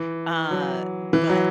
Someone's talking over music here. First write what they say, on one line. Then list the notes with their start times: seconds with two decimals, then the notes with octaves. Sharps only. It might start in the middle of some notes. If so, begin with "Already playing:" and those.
uh, but,
Already playing: E3
0.51 F#3
1.13 E3
1.30 F#3